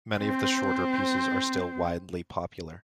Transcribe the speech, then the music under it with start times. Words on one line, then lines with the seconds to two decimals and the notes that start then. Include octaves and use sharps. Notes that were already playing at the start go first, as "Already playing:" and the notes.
Many of the shorter pieces are still widely popular.
0.20 C4 C5